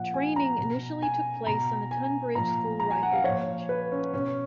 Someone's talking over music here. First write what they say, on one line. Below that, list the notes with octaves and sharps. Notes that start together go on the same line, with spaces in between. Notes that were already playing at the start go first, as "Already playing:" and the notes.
Training initially took place on the Tonbridge School rifle range.
Already playing: A#2 F3 F#5
G#5
A#5
B2
G#5
B2 A#5
G#5
A#2 F3 A#5
A#5
G#5
F#5
F5
A#2 F3 C#5
B4
C#4
B2 C#4